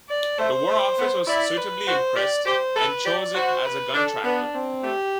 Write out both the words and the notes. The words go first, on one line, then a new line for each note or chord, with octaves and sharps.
The War Office was suitably impressed and chose it as a gun-tractor.
D5
A3 C5
A3
B3
E4 D5
B4
F#4 C5
G4 D5
G4 C5
A4 B4
G4 D5
F#4 C5
B4
D4 A4
B3 D4
C4
A3 G4